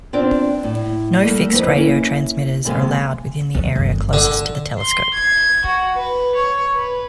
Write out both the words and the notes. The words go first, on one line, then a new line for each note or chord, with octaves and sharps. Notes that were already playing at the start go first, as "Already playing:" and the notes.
No fixed radio transmitters are allowed within the area closest to the telescope.
B3 C4 D4 F4 D5
A2
G3 A3 A#3
F2 E3 D#4 B4
A#3 C#4 E4
D#2 C3 G#3 A4 E5 F5
D#2
G1
D3
C6
G#6
F#4
B4
C#5
B4